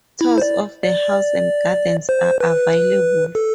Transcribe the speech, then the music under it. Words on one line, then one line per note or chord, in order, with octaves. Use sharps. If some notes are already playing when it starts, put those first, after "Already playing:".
Tours of the House and Gardens are available.
E4
C5
D5
D5
C5
B4
A4